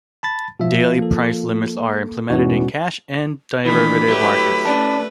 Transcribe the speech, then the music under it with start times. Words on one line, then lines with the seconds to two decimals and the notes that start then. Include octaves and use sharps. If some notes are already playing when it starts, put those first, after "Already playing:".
Daily price limits are implemented in cash and derivative markets.
0.23 A5 B5 A6
0.60 B2 F3 E5
0.98 A#3 A4
2.30 E2 G#2 B2 C#4 F#4
3.65 D#3 E3 A3 D4 B5
4.08 F#3 A3 E4 G4 B4
4.65 A3 C#4 B4 D5 A5